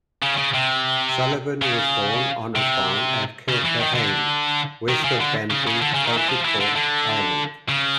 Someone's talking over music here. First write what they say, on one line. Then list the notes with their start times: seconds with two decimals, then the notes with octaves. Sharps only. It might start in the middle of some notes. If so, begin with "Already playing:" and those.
Sullivan was born on a farm at Kilcrohane, west of Bantry, County Cork, Ireland.
0.22 C#3
0.38 C#3
0.54 C3
1.62 C#3
2.56 C3
3.49 C#3
3.65 E3
3.80 D#3
3.95 D3
4.89 D#3
5.04 C#3
5.21 D3
5.51 C#3
5.67 C#3
5.82 D3
5.94 C#3
6.05 D#3
6.18 E3
6.28 F3
6.45 E3
6.60 D3
6.76 D3
7.69 C#3